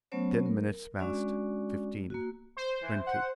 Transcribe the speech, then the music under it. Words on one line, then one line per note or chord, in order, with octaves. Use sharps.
Ten minutes passed, fifteen, twenty.
F#3 A3 B3 C#4 C5 C#5
A#4
G#3 C#4 D4 F#4 D5
A#3 F#4
C5
E3
F#5